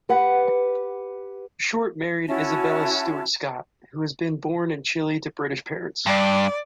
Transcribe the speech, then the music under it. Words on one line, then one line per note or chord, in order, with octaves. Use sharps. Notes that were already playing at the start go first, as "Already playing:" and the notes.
Shortt married Isabella Stewart Scott, who had been born in Chile to British parents.
G4 B4 F#5
C#4 E4 F#4 A5
G2 D5